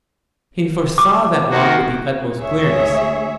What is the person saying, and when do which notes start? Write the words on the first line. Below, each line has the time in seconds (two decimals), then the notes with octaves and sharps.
He foresaw that walk with the utmost clearness.
0.98 D6
1.50 D#3 A#3 F#4
2.40 D2 G#4 C#5 E5